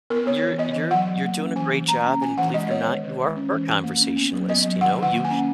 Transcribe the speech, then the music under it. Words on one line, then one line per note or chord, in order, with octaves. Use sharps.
you're you're you're doing a great job, and believe it or not, you are a conversationalist, you know? You
B3 A#4
B3 C#5
E3
B3 D#5
E3
F#3 F#5
F#3
A#3
C#4
E3 G#5
E3
A#3 A#5
C#4
E3 G#5
E3 F#5
G#3 D#5
B3 C#5
D#3
D#3
G#3
C#4
E3
E3
A#3
C#4
B3
F#3
B3 D#5
F#3
D#3 F#5
D#3 F#5
A#3
G#5
C#4